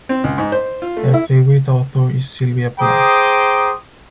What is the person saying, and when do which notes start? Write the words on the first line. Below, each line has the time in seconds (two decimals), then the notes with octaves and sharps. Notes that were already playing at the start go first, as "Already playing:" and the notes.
Her favorite author is Sylvia Plath.
0.09 C4
0.24 C#2
0.38 G#2
0.52 C5
0.82 F4
0.97 A3
1.14 E4
2.80 G#4 C5 G5 A#5 D6 D#6